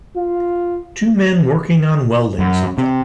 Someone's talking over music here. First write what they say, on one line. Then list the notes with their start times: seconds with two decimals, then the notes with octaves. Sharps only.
Two men working on welding something.
0.17 F4
2.39 F#2
2.78 C3